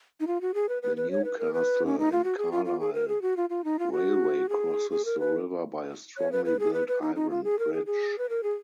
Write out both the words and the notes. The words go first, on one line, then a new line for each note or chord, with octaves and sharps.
The Newcastle and Carlisle Railway crosses the river by a strongly built iron bridge.
D#4
F4
F#4
G#4
B4
B4
B4
C#5
B4
A#4
B4
C#4
D#4
F4
F#4
G#4
F4
F4
G#4
A#4
G#4
F#4
F4
F4
D#4
F4
F#4
G#4
G#4
A#4
B4
C#5
B4
B4
G#4
B4
B4
D#4
D#4
F4
G#4
A#4
G#4
G#4
B4
A#4
G#4